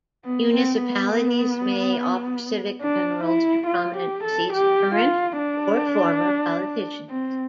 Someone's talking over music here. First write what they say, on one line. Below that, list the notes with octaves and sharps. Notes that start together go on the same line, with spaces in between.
Municipalities may offer civic funerals to prominent deceased current or former politicians.
B3
C4
B3
D4
E4
F4
G4
A4
G4
F4
D4
C4